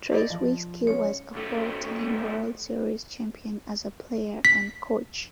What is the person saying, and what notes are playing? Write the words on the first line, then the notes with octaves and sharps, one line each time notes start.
Tracewski was a four-time World Series champion as a player and coach.
E4 D5 D#5
F3
G#3 C#4 C#5
B1 A3
B6